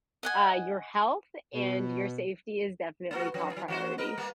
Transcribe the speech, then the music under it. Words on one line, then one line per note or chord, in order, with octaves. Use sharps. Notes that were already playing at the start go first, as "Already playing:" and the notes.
uh, your health and your safety is definitely top priority.
D#5 F#5 G#5
B2
A3 B3 F#4
F#2 F3
F#3 E4
E3 F#4 C5
A#4 B4 D#5
G3 A#3 B3